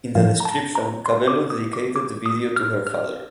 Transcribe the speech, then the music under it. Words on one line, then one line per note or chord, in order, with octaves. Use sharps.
In the description Cabello dedicated the video to her father.
A2 F3 F5
A#5
A5
A#5
C6
D6
D#6
D6
D6
D#6
F6
F6